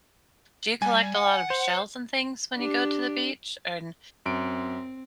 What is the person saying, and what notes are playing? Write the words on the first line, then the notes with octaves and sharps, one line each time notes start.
Do you collect a lot of shells and things when you go to the beach? And
G3 G#5
F#5
C5
D4 G4
F#2 C4 D7